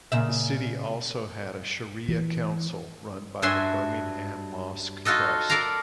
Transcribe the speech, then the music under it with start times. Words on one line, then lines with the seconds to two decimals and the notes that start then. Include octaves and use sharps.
The city also has a Shariah Council run by the Birmingham Mosque Trust.
0.12 A#2 C#3 E5
2.08 E3
3.42 G2 F#4 E5 G#5 C6
5.05 D#4 F4 F#4 A4 D#5
5.49 A4 A#4 D5 F5 A#5